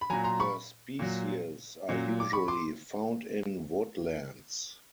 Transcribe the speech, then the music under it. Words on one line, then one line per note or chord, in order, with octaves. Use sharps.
The species are usually found in woodlands.
B5
A#2 F#3 G#5 A#5
A#5 C6
B5 C#6
A#2 F#3
A#2 F#3
D6
B5 C#6
C6 D6